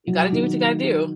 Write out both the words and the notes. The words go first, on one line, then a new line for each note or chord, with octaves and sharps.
You gotta do what you gotta do.
F#3
D#3